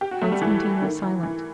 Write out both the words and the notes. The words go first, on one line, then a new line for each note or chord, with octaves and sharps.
Konstantin was silent.
G4
F#4
A3
G3
E3
D#3
E3
E3